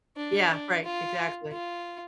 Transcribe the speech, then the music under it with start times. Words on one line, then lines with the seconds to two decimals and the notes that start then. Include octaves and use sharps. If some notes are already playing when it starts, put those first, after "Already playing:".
Yeah, right, exactly.
0.16 D4
0.50 D4
0.84 F4
1.51 F4